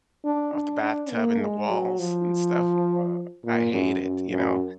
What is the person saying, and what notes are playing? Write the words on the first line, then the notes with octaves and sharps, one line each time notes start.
off the bathtub and the walls and stuff, uh, I hate it, you know.
D4
D4
D4
A#3
G#3
F#3
F3
A#2
F#2
F#2
F#2